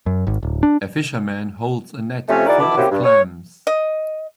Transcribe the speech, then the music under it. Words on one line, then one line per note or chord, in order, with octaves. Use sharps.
A fisherman holds a net full of clams.
F#2
G#1
D1
D4
C3 F3 A3 C#4
D#3 E4 F#4 G#4 A#4 D5
B2 B3 E4 A5 B5 D6
A#3 C4 C#4 E4 F#4 G4
G2
C#5
D#5